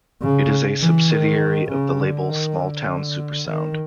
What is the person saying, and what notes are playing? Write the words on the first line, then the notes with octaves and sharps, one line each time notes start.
It is a subsidiary of the label Smalltown Supersound.
C#3
E3
D#3
C#3
D3
D#3
D3
D#3